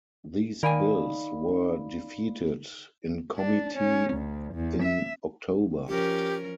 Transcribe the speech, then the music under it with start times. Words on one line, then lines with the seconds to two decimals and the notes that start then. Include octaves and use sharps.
These bills were defeated in committee in October.
0.63 D#3 D#4 A#4 D5 F5 G5 G#5 B5
3.38 D4
3.74 C#4
4.14 D2
4.54 E2
4.83 E5
5.88 F3 C#4 G4 A#4